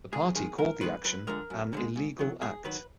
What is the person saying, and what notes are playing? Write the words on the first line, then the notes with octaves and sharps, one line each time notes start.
The party called the action "an illegal act".
G#2 G#4
D#3 G#3 G#4
G#2 A#4
D#3 G#3 B4
F#2 B4
D3 F3 G#3 A#4
F#2
D3 F3 G#3
G#2
D#3 F#3
G#2 G#4
D#3 F#3 B4